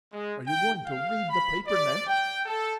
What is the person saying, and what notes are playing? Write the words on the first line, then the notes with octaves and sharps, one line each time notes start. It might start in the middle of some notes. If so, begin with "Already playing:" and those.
"Are you going to read the paper next?"
G#3
G5
F5
B5
D5
G5
A4